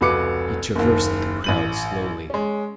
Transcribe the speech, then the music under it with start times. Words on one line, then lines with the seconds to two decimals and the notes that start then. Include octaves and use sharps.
He traversed the crowd slowly.
0.01 F1 C#2 F#4 B4 D6 C#7
0.75 F#1 D#2
1.44 A1 D#7 F#7
2.30 G#3 C#4